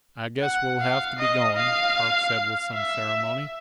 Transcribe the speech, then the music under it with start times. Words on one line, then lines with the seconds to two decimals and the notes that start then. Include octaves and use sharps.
"I guess we'll have to be going," Park said with some ceremony.
0.41 F#5
0.81 F5
1.19 D#5
1.57 F5
2.72 E5